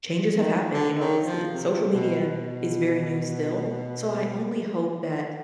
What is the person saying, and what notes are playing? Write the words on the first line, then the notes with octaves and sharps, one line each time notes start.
changes have happened. You know, th s social media is very new, still. So, I only hope that
D#3
D3
D#3
F3
C3
B2
B2